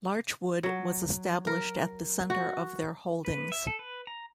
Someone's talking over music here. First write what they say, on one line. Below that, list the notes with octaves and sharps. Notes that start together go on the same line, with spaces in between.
Larchwood was established at the center of their holdings.
F#3
A#4
F#4
B4
E5
A4
B4
A#5